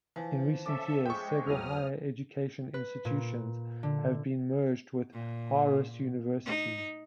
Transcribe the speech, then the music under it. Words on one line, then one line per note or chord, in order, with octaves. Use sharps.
In recent years, several higher education institutions have been merged with Aarhus University.
E3 F3
C#4 A4 E5 D6
G#3 G5 C#6
E1 F#3 D#6 F6
B4
A#2
D3
A#2
D#4